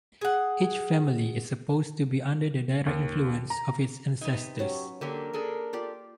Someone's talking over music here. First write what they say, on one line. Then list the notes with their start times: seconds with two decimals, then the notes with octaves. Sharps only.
Each family is supposed to be under the direct influence of its ancestors.
0.21 G#4 F#5
2.86 D#2
3.50 A#5
4.21 C3 B3 D#4 G#5
4.59 F#3 C#4 G4
5.01 D3 F#3 A#3 G4 A#4
5.33 D4 G#4 A4
5.73 F4 G4 D5